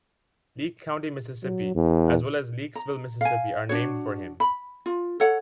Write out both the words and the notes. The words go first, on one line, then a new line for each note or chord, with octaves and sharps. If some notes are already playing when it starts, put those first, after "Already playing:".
Leake County, Mississippi, as well as Leakesville, Mississippi are named for him.
F#3
E2
A#5
F5 G#5
D4 F#4 C#5
B5
F4
A4 C#5 F#5